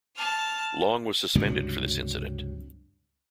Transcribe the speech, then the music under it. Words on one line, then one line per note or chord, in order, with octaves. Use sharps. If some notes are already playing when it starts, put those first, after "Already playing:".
Long was suspended for this incident.
A5 F6
C#2 G2 C3 F#3